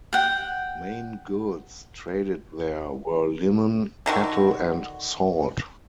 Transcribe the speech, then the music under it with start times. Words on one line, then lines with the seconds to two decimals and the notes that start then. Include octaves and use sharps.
Main goods traded there were linen, cattle and salt.
0.13 F#5 G5
4.06 D3 D#3 F#4